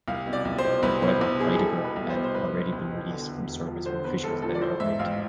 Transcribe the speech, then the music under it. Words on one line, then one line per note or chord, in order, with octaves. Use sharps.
However Heidegger had already been released from service when Fischer's letter arrived.
C2 F5
B2
D5
C2
C5
B2
C2 B4
B2 C5
C2 B4
B2 G#4
G#4
C2 A4
B2
B4
C2
C5
B2
C5
C2 B4
B2
C2
B2
D3
E2
E1
F3
D3 C5
E2 B4
E1 A4
F3 A4
D5
E3 C5
G#2 E5
A1 F5